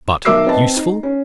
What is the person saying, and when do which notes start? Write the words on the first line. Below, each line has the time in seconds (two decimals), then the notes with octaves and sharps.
But, USEFUL?
0.25 B1 A#4 E5 D6 E6 C7
0.46 C4 B4 C5 D#5 A5
0.61 C4
0.77 D#4
1.03 C#4